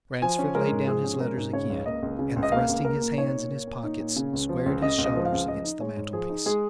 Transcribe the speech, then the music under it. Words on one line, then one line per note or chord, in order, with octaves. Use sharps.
Ransford laid down his letters again, and thrusting his hands in his pockets, squared his shoulders against the mantelpiece.
F3 G#5
C#4
G#3 A#4
G#2
F3 G#4
C#4
G#3 A#4
G#2
C#3 C#5
C#2
A#3 D#5
C#2
C#3
C#2
D#5
A#3 F5
C#2
A#3 A#4
A#2
D#4 C#5
A#2
A#3
A#2
D#4
A#2
C#3
C#2
F3
C#2
C#3 D#5
C#2
D#5
F3
F5
C#2
F3 D#5
D#4
G#3 C#5
G#2
F3 G#4
D#4
G#3 G#4